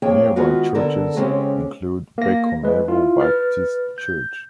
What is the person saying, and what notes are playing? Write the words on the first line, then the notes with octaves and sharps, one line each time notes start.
Nearby churches include Bacon Level Baptist Church.
F2 A#3 G#4 C#5 G5
D#3 G#3 B3 F4 F#4
D3 B3 A4 A#4
C#3 G#3 C4 C#4 F#4 G4
A#3 A#6
G#3 B4
E4 F4
B4 F6 A6
G6